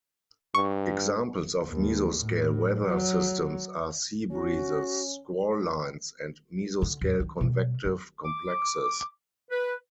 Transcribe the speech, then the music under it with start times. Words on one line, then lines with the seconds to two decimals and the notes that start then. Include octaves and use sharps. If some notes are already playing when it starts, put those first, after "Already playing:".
Examples of mesoscale weather systems are sea breezes, squall lines, and mesoscale convective complexes.
0.55 G2 C#6
1.69 D#2
2.23 A2
2.87 F#3
4.31 C#4 F#4
6.82 D3
7.02 E2 A2
7.20 D#3 D4
7.41 B2 G3
7.85 F#2
8.24 D6
9.51 B4